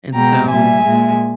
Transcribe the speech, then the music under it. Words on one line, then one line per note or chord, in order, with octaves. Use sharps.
And so,
B2 G#3 G5 A#5
A#2 G3 E5 G#5
A#2 G#3